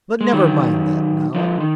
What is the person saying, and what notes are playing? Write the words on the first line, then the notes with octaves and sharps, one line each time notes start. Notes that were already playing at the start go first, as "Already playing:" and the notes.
But never mind that now.
G#3
D#3 F#3
D3 F3
D#3